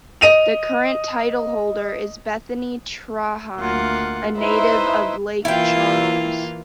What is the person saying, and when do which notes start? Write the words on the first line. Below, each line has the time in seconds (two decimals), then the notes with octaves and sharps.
The current titleholder is Bethany Trahan, a native of Lake Charles.
0.21 D#5 D#7 F7
3.59 D2 A#3 F4 F#5
4.39 D#4 E4 B4 C5 D#5 E5
5.45 E3 A#3 E4 F4 G5